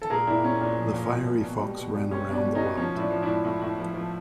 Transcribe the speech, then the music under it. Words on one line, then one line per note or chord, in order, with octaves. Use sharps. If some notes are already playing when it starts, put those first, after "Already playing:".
The fiery fox ran around the world.
A4
A#2 G#4 A#4
A#2 D4 E4
A#2 C#4
A#2 D4
F3
A#2
A#2
A#2
B2
G3
B2
G3
G3 C#4
B2 D4
G3
C#4 D#4
B2
F3 C#4
A2 D4
F3
D4 E4
A2
A2
A2
F3
F3